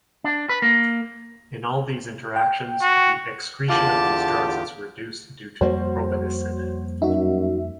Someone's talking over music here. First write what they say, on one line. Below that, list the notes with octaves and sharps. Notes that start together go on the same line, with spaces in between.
In all these interactions, the excretion of these drugs is reduced due to probenecid.
D4
B4
A#3
G5
F#4
E2 D3 F4 G4 F5 A5 D6
F2 G3 A#3 F#4 C5 C#5
F#2 D#4 F#4 E5